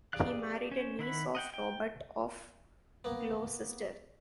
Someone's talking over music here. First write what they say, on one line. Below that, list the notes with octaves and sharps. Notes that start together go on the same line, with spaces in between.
He married a niece of Robert of Gloucester.
G4 G#4 D5 F5 F#6
C#4 C5
D#3 E4 F#5 B5
D#5 F#5 G5
G5
A#3 B3